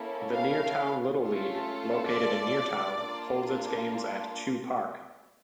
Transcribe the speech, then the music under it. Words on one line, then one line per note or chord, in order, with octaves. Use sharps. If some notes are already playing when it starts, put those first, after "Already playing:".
The Neartown Little League, located in Neartown, holds its games at Chew Park.
Already playing: A#3 C#4 E4 A4
F5
A3 C#4 F4 A4
D5
A#3 D4 F4